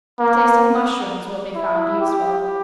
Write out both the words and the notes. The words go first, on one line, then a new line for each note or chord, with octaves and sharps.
A taste of mushrooms will be found useful.
A#3
E4
G4